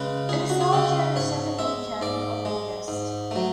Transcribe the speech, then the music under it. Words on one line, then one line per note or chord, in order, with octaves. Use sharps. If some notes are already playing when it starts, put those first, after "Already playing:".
It is held during the second weekend of August.
Already playing: C#3 G#3 B4
C#2 G#4
F#4
G#4
C#3 G#3 A4
G#2 C#5
G#3 E5
G#2 D5
G#3
G#2
F#3 A3